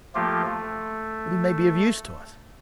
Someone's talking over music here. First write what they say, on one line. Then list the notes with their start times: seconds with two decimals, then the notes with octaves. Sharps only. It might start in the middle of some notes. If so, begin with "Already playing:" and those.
"But he may be of use to us."
0.15 F3 A3 A#3 F4 G4
0.46 A3